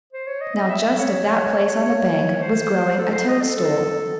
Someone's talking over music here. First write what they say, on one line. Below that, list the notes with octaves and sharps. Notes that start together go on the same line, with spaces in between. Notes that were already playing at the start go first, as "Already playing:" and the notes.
Now just at that place on the bank was growing a toadstool.
C5
C#5
D#5
D#5
E5
C#5
C#5
C5
A4
C5
D#5
A4
A4